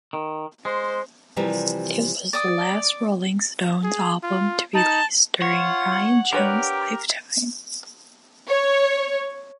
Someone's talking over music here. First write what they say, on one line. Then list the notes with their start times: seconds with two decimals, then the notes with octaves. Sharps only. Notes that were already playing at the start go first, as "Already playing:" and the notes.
It was the last Rolling Stones album to be released during Brian Jones' lifetime.
0.13 D#3
0.65 G#3 C5
1.36 C3 E3 F3 G3 A#4 B4
2.33 D5 D#6
3.84 G#4
4.23 F4
4.74 D#4 A5
5.42 F4 C#5 F#5
6.33 D4 G4 A#4 B4 C#5
8.48 C#5